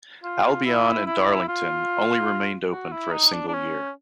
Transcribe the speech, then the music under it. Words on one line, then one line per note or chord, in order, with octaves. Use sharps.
"Albion and Darlington" only remained open for a single year.
F4
E4
E4
F4
F#4
E4
D#4
D4
D4
C#4